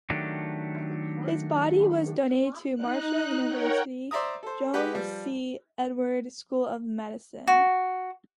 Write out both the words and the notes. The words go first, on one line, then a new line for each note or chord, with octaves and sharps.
His body was donated to Marshall University's Joan C. Edwards School of Medicine.
D#3 F#3 A3 D4 G4
D#4 F#6
A#4 C#5 F#5 G5
C5 D5 E5 A#5 D#6
A4 C5
G#3 G4 B4 F#5
F3 G3
F#4